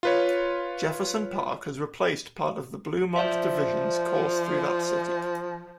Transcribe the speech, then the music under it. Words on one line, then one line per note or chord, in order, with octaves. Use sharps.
Jefferson Park has replaced part of the Bluemont Division's course through that city.
F4 B4 C#5
F3 C5 D5 E5